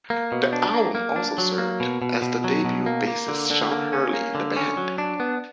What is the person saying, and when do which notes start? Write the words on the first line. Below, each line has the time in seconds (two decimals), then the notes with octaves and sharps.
The album also served as the debut of bassist Sean Hurley in the band.
0.10 A#3
0.32 B2
0.53 D4
0.74 A#3
0.95 A#3
1.16 D4
1.38 F#3
1.58 A#3
1.80 B2
2.02 B2
2.22 B2
2.44 F#3
2.65 B2
2.86 A#3
3.08 A#3
3.28 D3
3.51 D3
3.71 A#3
3.93 C#4
4.13 A#3
4.35 D3
4.57 C#4
4.77 F#3
4.98 D4
5.20 B3